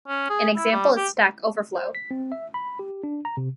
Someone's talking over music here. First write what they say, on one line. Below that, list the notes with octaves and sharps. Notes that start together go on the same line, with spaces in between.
An example is Stack Overflow.
C#4
G#4
E4
G3
G4
C5
B6
C4
E5
B5
G4
D4
A#5
C3